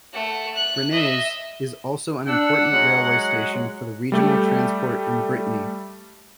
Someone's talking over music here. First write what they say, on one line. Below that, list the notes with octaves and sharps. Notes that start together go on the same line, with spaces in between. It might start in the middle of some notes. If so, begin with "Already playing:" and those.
Rennes is also an important railway station for regional transport in Brittany.
A3 F#5
F#6
D#5 E5
D4 F#5 E6
F#3 G#3
G3 A3 G4